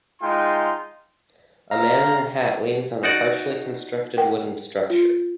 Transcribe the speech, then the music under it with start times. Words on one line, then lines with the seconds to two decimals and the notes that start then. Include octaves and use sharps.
A man in a hat leans on a partially constructed wooden structure.
0.22 G#3 D#4 F4 G5 C6
1.71 F5 A#5
3.03 D#4 F#4 D5
4.17 A#4 F#5 G5
4.90 F4